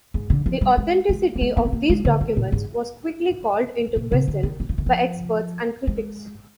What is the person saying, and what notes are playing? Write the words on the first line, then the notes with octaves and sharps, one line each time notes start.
The authenticity of these documents was quickly called into question by experts and critics.
G#2
D3
F3
G3
G#3
G#3
G3
G#3
A#3
C4
A#3
G#3
D3
D#3
A#2
G#2
A#2
C3
D3
D#3
G3
F3
D#3
F3
G#3